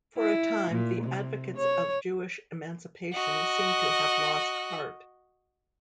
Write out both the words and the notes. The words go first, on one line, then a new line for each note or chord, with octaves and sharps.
For a time the advocates of Jewish emancipation seemed to have lost heart.
E4
A#2
C3
C#5
F#4 D#5